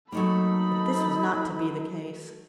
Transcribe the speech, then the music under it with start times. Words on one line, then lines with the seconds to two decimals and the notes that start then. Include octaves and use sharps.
But this was not to be the case.
0.12 F#3 A3 A#3 D#4 A4 B5